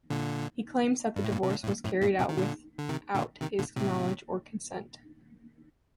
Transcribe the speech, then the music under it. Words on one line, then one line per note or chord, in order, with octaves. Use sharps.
He claims that the divorce was carried out without his knowledge or consent.
A#2 D3
G2
A2
G2 A#2
C3
A#2 D3
A2
G2 A#2
F#2 A2
G2 A#2
A2 C3
D#3
A#2 D3
D3
C3 D#3
A#2 D3
C3 D#3
A#2 D3
A2 C3